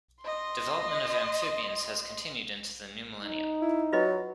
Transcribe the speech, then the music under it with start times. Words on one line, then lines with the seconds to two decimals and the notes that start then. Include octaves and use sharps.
Development of amphibians has continued into the new millennium.
0.24 D#5 C6
3.22 D#4
3.61 E4
3.93 F#3 F4 B4 D#5